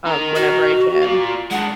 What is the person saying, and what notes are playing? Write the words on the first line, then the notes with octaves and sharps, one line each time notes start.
um, whenever I can.
D#4 A#4
F#4
F4 D5
G#3 D4 F#5